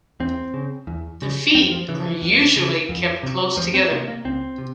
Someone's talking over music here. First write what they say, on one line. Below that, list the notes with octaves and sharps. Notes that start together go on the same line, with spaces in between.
The feet are usually kept close together.
E2 C4
C#3
E2
C#3
F2 C4
F3
C#3 E3
E3
F2
C#3
F2
C3
F2 F3
C4
C3 A#3
A#3
C#2 C4
C3